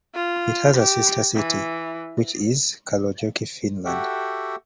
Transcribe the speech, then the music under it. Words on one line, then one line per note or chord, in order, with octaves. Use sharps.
It has a sister city, which is Kalajoki, Finland.
F4
G4
E3
F#4 G4 A4 E5 F#5 G5